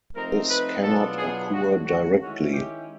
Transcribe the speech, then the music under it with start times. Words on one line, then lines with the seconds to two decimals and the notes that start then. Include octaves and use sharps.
This cannot occur directly.
0.14 F3 A3 C4 D#4 A#4
0.49 B4
0.83 B2 F#3 B3 D4 F4 A4
1.17 G#4
1.51 D3 F#3 A3 F#4
1.85 F#4
2.19 D#3 G#3 C#4 E4 F#4
2.53 G4